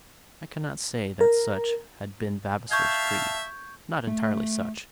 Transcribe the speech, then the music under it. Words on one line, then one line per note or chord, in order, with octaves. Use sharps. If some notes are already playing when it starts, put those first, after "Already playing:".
I cannot say that such had been Vavasor's creed,--not entirely such.
A#4
E5 F5 A5 C#6 G6 G#6
A3